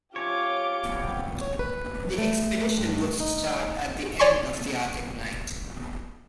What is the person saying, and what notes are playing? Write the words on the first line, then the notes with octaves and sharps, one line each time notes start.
The expedition was to start at the end of the Arctic Night.
F3 C#4 F4 G4 C#5 E5 D6
G3 B3 C4
C#5
B4
A3
G2
D#4
C#5 D5 G#5 C6 C#6